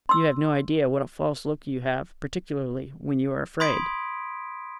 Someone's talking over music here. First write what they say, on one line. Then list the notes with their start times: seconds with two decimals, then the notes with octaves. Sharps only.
You have no idea what a false look you have, particularly when you are afraid.
0.09 C6 E6
3.60 B5 C6 D#6 G#6 B6 D7